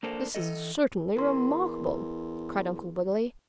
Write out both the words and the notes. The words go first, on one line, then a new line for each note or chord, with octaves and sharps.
"This is certainly remarkable!" cried Uncle Wiggily.
A#3 D4 A4 A#4 C5
E3 G3 A4 D#5
E2 A#4 C6